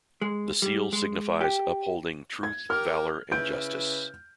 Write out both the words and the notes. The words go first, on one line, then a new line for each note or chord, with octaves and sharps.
The seal signifies upholding Truth, Valour and Justice.
G#3
G3
G#3
G4
G#6
G4 A#4 F6
C#3 E4 B4 G6 D7